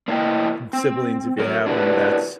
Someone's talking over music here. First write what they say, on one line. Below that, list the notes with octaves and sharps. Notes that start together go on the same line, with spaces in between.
and siblings, if you have 'em, that's
A#3 D4 E4 F4 D#5 G5
C4
F#3 A#4
D4 E4 F#4 G4 A#4 B4